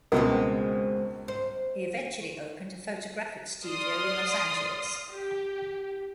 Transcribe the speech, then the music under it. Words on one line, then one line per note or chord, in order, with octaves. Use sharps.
He eventually opened a photographic studio in Los Angeles.
C#2 B2 G#3 B3 C4 A#4
C5
D5 C6 D#6 F6
G4